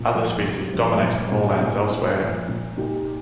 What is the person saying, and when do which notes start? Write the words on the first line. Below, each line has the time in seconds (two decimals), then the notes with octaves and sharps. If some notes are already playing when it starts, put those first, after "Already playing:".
Other species dominate in moorlands elsewhere.
Already playing: A#2
0.15 F3
0.44 C3
0.73 F3
1.03 A#2
1.32 A#2
1.61 A#2
1.91 A#2
2.20 F3
2.49 A#2
2.77 A#2 D#4 G4